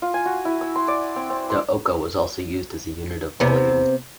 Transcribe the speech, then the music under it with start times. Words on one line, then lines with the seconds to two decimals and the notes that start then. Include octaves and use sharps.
The oka was also used as a unit of volume.
0.02 F4
0.14 G#5
0.26 F#4
0.45 E4
0.61 E6
0.76 C6
0.88 D5
1.16 C4
1.30 C4
1.50 C6
3.40 C3 B3